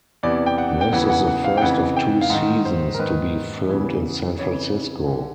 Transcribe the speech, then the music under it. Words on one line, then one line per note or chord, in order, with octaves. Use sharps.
This is the first of two seasons to be filmed in San Francisco.
E2 C3 E3 D5
G5
F#5
G5
E2 C#3 E3 F#5
F#5
F#5
F5
G5
F2 C#3 E3 F#5
G5
F5
G#2 D#3 F#5
C5
A#4
G#2 D#3 B4
E2 C#3 E3
F2 C#3 E3 C#5
D3